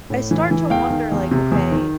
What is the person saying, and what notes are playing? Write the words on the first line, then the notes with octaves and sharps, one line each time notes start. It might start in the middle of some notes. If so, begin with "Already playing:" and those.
I start to wonder like, “Okay“
A2
E3
E3
E2 F5 G5
D#3
E2
C3
E2
D#3